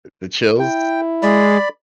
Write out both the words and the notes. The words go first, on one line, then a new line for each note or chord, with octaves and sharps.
Uh, the chills?
E4 G5
G#3 D5 B5